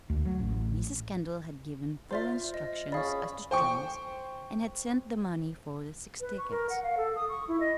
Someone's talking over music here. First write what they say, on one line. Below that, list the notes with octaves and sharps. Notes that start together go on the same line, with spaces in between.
Mrs. Kendall had given full instructions as to trains, and had sent the money for the six tickets.
D2
F#3
A1
F4 C5 D5 E5 C6
D#5
C#4 G#4 D5 F5 B5
C5 G5 C#6
B4
C#6
A#4
F#5
F5
A4
D#6
C#6
E4
D#5